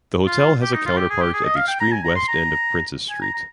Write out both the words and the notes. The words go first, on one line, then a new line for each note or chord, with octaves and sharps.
The hotel has a counterpart at the extreme west end of Princes Street.
F4
G4
D#4
F4
G4
G#4
G4
G#4
D#5
F5
G5
A#5
G#5
A#5
C6
A#5
G#5
A#5
A#5